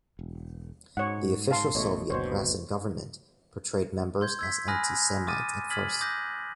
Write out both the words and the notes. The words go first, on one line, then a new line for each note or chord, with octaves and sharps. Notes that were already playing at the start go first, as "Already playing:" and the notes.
The official Soviet press and government portrayed members as anti-Semites at first.
E1
G#2 C#5 F#5
F5 A5 C6
A1 B2 A3 C#5 D#5
F#1 D2 B2 C5 C#5
C6 G6 G#6
E6 G#6 B6
G#5 B5 D#6 F6 F#6 A#6
D6 D#6 F6 A6 D#7
D#6 F6 G#6 A6 B6 F#7
D6 D#6 F#6 G6 A#6